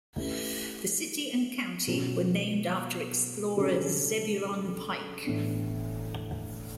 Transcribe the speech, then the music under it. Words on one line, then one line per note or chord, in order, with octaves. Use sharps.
The city and county were named after explorer Zebulon Pike.
A3 C#4 E4 G4 B4
B2 F#3 C#4
C#3 G3 D4 F#4 A4
A2 E3 B3 D4